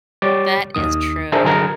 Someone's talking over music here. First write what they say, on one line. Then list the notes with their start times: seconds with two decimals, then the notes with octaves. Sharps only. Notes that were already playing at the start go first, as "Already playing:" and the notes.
That is true,
0.22 G3 C#5 D6 A6
0.75 D#2 D#3 D#6
1.32 D4 G#4 A#4 C5 E5 A5
1.44 D3 F#3 G#4 A#4 G#5 A#5